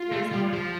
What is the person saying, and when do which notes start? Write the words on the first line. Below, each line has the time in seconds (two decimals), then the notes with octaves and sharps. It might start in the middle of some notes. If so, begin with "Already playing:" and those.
Your zodiac
Already playing: F4
0.12 A3
0.33 G3
0.53 F3